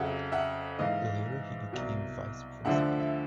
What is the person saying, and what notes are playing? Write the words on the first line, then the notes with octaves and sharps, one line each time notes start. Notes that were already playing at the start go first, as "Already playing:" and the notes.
Later he became Vice-Principal.
Already playing: F2 C#3 F#3 E5 F#5
E5 F#5
G#2 E3 D#5 F5
C2 B2 F#3
D2 D3 F3 E5 F#5
E5